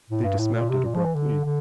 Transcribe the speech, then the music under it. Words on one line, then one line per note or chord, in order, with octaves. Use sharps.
They dismounted abruptly.
A2
G2
A2
A#2
C3
A#2
F3
E3
D3
D3